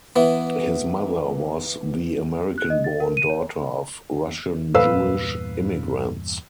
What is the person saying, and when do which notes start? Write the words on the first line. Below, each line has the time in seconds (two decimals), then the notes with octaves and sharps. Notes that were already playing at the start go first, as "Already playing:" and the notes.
His mother was the American-born daughter of Russian-Jewish immigrants.
0.16 E3 B3
2.58 F#6
2.70 D#5
2.84 A6
3.00 A#4
3.17 D#7
3.30 C#5
4.75 E2 G2 A#2 B4 F5 E6